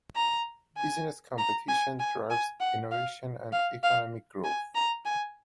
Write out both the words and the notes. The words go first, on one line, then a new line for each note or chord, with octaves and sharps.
Business competition drives innovation and economic growth.
A#5
G#5
A#5
G#5
G#5
G#5
F#5
F5
F5
F5
G#5
A#5
G#5